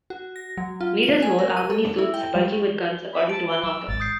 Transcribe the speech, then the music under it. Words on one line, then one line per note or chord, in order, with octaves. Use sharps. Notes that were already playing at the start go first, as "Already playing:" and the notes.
Leaders wore Armani suits bulging with guns, according to one author.
F#4
A#6
F#3
F4
D#7
G#5
A#4
D#7
A4
E4
G5
G3
B5
A5 D7
G7
F#3 E6
G#1 G#2 A6
D#6 G6 C7